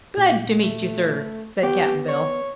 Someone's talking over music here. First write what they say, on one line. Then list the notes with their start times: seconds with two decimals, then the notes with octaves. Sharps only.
"Glad to meet you, sir," said Cap'n Bill.
0.17 A#2
0.62 A3
1.63 B3 G4
2.08 C#5